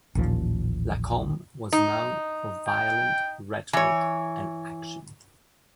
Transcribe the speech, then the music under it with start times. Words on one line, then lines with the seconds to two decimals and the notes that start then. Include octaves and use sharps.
Lacombe was known for violent rhetoric and action.
0.15 A1 D#2 A#2 F3
1.73 D#4
2.68 G5
3.73 E3 C#5